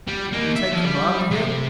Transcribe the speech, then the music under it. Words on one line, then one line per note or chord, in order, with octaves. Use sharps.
"You take command here?"
G3
A#3 D#4
E5
F3
G3
C3